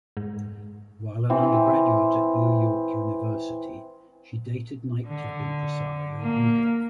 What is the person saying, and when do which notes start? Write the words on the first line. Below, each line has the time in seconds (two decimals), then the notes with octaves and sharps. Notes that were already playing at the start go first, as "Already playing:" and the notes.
While an undergraduate at New York University, she dated nightclub impresario Rudolph.
0.17 G#2
1.30 E3 C4
5.08 D3
6.21 A#3